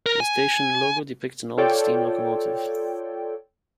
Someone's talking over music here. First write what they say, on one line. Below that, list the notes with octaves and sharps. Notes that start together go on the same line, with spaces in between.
The station logo depicts an old steam locomotive.
A#4
G#5
F4 A4 C#5 D5 G5